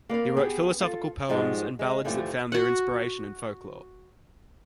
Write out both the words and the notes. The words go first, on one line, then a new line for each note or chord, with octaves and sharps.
He wrote philosophical poems, and ballads that found their inspiration in folklore.
A#3 B4 D5 F5
B3 G4 G#4
F4 A4
G#2 F3 G3 G#3 F#4
G#3
G2 D3 E3 F3 G3 A3
F#4 F#5